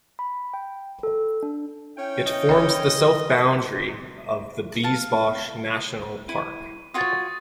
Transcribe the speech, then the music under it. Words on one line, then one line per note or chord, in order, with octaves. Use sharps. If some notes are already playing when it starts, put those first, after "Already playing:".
It forms the south boundary of the Biesbosch National Park.
B5
G5
A4
D4
C#4 E4 G5
D#5
F5 A5
E4 D#7
F4 F#4 C#5 D#6 A6